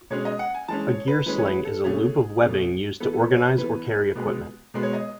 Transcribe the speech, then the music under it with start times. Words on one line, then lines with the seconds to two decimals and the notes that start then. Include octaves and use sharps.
A gear sling is a loop of webbing used to organize or carry equipment.
0.10 B2 G#3 C#4 C#5
0.25 D#5
0.39 F#5
0.54 G#5
0.68 E3 G#3 C#4 A5
0.88 C#5
1.07 B4
1.26 E3 G#3 C#4 B4
1.38 C#5
1.46 B4
1.65 A4
1.84 B2 A3 C#4 G#4
2.42 B2 A3 C#4
3.00 E3 B3 A4
3.13 A4
3.19 B4
3.30 C#5
3.38 B4
3.58 E3 B3 B4
4.15 B2 G#3 B3
4.74 B2 G#3 B3
4.83 C#5
4.93 D#5